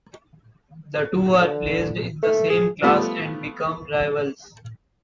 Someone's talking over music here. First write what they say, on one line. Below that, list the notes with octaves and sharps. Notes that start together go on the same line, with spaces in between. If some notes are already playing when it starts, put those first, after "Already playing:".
The two are placed in the same class and become rivals.
D3
A3
G#4
F3 G3 A3 B3 F4